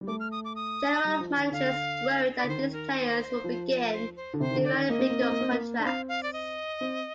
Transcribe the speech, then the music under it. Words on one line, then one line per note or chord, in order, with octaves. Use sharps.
General managers worried that these players would begin demanding bigger contracts.
G3
A3 D6
F6
D#6
D6
D#6
G3
F3
D#3
D3 F5
D5
D3
D#3 C5
A#4
C5
F3
A#4
C5
C5
D3
C3 C5
D#3
D3
D5
D#3
A#3 D#5
C4
A#3
C4
A#3
C4
A#3
D4
C4 F5
F5
D5
D#5
C4